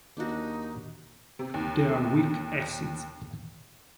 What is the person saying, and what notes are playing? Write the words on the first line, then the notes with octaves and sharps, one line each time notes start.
They are weak acids.
D#2 D4 D#4 F#4
C3
D#2